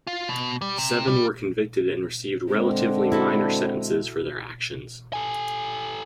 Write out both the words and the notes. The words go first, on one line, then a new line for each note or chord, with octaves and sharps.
Seven were convicted and received relatively minor sentences for their actions.
F4
B2
G3
C3
G3
D3 G#3 C4
E4 F#4 A4
A4 G#5